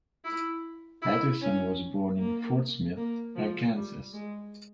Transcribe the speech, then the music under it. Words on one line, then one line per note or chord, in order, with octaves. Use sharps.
Patterson was born in Fort Smith, Arkansas.
E4
E4
C#4
A#3
A#3
F3
G3
G#3